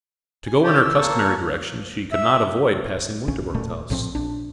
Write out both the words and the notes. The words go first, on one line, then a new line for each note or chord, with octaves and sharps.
To go in her customary direction she could not avoid passing Winterborne's house.
G#5
G4 C#5 D5
E6
A#3 A4 C#6
E5
A#1 C#4
D#1 A#2 A3
A#1 A2 F3 C4
A#1 D4